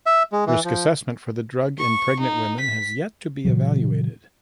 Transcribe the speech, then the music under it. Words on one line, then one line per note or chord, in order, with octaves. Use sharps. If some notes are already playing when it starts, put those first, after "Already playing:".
Risk assessment for the drug in pregnant women has yet to be evaluated.
E5
G#3
E3
F3
C#6
D#4
B6
A#2 C#3 E3 F#3